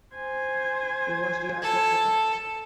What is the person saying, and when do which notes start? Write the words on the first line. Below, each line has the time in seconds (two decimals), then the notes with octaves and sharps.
He was re-elected four times.
0.15 C5 G#5
1.63 A4